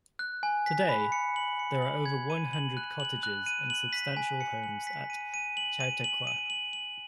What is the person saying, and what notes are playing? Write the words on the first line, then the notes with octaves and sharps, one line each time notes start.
Today, there are over one hundred cottages and substantial homes at Chautauqua.
F#6
G#5
B6
B5
C#7
F#7
C#7
F#7
G#6
D#7
F#7
F#6
F#7
F#6
D#7
F#7
B6
G#5
C#7
F#7
B6
D#7
D#7
F#7
D#7
F#7
D#7
F#7
F#7